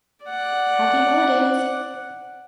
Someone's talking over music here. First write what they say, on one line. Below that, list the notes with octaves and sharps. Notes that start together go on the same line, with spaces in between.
Happy Holidays!
D5 F#5